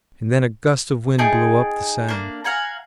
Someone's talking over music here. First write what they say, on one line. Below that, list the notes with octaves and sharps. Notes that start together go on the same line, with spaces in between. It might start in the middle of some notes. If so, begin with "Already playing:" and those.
And then a gust of wind blew up the sand.
D#4 G#4 G5 A5
A#3 D4
F5 F#5 G#5 A#5